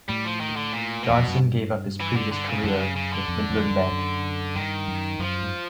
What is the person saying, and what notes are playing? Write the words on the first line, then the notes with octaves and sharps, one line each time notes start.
Johnson gave up his previous career with Midland Bank.
A2 G3
F3
D#3
D3
A#2
B2
E2
F2
F#2
G2
E3
D3
D3
C#3
F#2 D3
C#3
C#3
D3
F2
F2
F#2
F#2
G2 D#3
F#2
F#2 F3
G#2